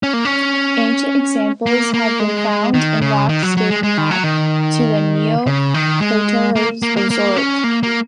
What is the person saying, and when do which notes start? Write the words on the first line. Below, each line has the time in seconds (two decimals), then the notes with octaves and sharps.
Ancient examples have been found in rocks dating back to the Neoproterozoic.
0.03 C#4
0.13 A#3
0.25 C#4
1.66 A#3
1.94 A#3
2.20 G#3
2.74 D#3
3.02 C#3
3.29 D#3
3.43 F#3
3.57 F#3
3.70 G#3
3.83 G#3
3.98 D#3
4.11 F#3
4.24 D#3
5.46 C#3
5.74 D#3
6.00 G#3
6.56 A#3
6.83 A#3
6.97 A#3
7.10 A#3
7.36 C#4
7.64 A#3
7.83 A#3